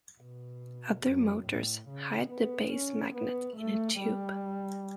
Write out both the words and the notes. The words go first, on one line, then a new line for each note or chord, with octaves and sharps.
Other motors hide the base magnet in a tube.
B2
F#2
A2
C#3
B3
C#4
B3
A3
G3